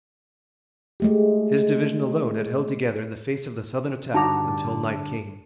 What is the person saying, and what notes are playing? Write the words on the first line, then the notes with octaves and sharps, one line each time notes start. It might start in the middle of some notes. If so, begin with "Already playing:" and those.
His division alone had held together in the face of the Southern attack until night came.
G#3 A3 G4
G2 D3 D#4 F#4 A5 A#5 D6